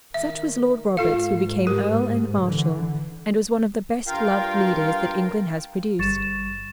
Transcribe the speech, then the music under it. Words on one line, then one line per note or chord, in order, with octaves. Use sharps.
Such was Lord Roberts who became Earl and Marshal, and was one of the best-loved leaders that England has produced.
D#3 E5
G#2 F4 A4 F5
G4 A#4
D3 E3
G2 F4 A#4 F5 G5
G1 G3 C#6 A6 E7